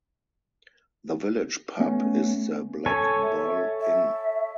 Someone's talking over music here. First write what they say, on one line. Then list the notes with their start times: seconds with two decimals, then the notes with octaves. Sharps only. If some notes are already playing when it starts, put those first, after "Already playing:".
The village pub is the Black Bull Inn.
1.80 A3 B3 C#4
2.86 A4 C#5 G#5
3.22 E5
3.80 E5